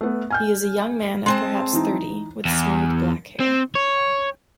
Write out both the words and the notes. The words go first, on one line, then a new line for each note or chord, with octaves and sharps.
He is a young man of perhaps thirty, with smooth, black hair.
A3 B3
G#5 F6 G6
G#3 C4 A5 C6
E3 D#4
E2
C4
C#5